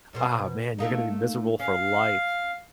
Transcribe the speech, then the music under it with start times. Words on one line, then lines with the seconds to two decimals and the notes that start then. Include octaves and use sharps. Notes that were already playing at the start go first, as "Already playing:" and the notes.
ah man, you're gonna be miserable for life,
0.13 F#2 B2 C5
0.78 A3 A#3 D#4
1.59 C#4 F5